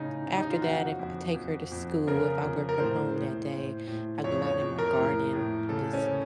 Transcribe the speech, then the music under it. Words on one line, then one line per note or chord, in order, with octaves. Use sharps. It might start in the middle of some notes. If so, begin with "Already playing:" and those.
after that, if I take her to school, if I work from home that day, I go out in my garden, and just
Already playing: A2 C#3 D#4
C#3
D#4
F4
F2 F#4
F2
F2
F2
C#3 A#4
F2
A#4
A2 C5
A2
A2
A2
F2 C#5
C#5
F2
A#4
A2
A2
C#3 A4
C#4
C#3